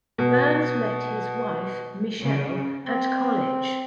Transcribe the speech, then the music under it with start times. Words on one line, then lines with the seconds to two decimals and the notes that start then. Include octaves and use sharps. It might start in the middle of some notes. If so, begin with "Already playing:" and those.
Burns met his wife, Michelle, at college.
0.18 B2
2.24 C#3
2.85 C4